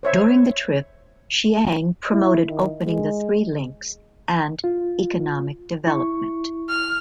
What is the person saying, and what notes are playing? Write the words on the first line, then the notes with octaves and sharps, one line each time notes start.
During the trip, Chiang promoted opening the three links and economic development.
C5 C#5 E5
E4
D#3
G#3
F4
E4 C#6
F6